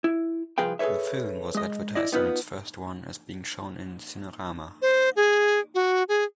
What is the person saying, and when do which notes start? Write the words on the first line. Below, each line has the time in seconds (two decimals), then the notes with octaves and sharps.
The film was advertised on its first run as being shown in Cinerama.
0.04 E4
0.58 C2 F3 G#4 B4 F5 G5
0.79 G#4 A4 B4 C#5 E5
1.55 G#3 D#5
1.95 E4 D5 D#5
2.12 B3 D#4 F4 B4
4.82 C5
5.16 G#4
5.75 F#4
6.09 G#4